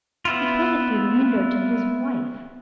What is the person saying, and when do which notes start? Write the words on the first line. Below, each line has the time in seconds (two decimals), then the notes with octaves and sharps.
He pointed through the window to his wife.
0.25 B3 E4 F4